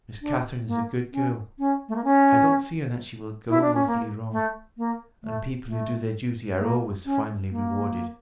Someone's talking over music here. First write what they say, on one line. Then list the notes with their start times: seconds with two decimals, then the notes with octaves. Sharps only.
Miss Catherine is a good girl: I don't fear that she will go wilfully wrong; and people who do their duty are always finally rewarded.'
0.22 D4
0.67 A#3
1.13 C#4
1.59 C#4
1.89 A3
1.96 A#3
2.04 C#4
3.49 E4
3.62 D4
3.74 C#4
3.87 A#3
4.32 A3
4.78 A#3
5.23 A3
5.68 A3
6.59 A#3
7.05 C#4
7.51 A#3